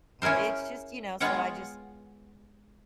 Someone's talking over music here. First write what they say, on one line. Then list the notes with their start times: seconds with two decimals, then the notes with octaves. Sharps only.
It's just, you know, so I just
0.22 C#4 E4 G#4 A#4 C5
1.20 G#3 B3 F4 C#5 F#5 G5